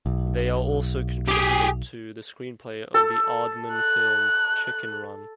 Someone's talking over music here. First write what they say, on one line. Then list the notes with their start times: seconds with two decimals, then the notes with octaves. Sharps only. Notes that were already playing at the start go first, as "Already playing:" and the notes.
They are also contributed to the screenplay of the Aardman film "Chicken Run".
0.06 B1
1.28 G4 G#4
2.94 A4
3.73 F#6